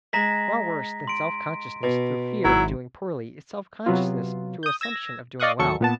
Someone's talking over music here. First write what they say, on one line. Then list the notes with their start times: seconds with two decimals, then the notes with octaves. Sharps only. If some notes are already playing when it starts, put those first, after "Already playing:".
Far worse than self-consciousness through fear of doing poorly is self-consciousness through assumption of doing well.
0.13 G#3 A#5 A#6 B6
1.07 C6 D7
1.83 B2
2.45 G#1 F#3 E4
3.86 C3 F#3 B3 F4
4.63 D#6 G6
4.81 E6 G#6 A#6
5.40 D5 D#5 F5 C#6 D#6 F#6
5.59 D#2 F#3 A4 C#6 C#7
5.80 A#2 B3 A5